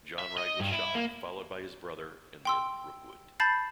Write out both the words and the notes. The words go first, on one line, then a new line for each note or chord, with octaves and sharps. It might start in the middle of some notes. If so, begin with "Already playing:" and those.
John Wright was shot, followed by his brother, and then Rookwood.
E5
D#5
G2
E4
A#3
G5 C6 E6
A5 B5 G6 A6 C7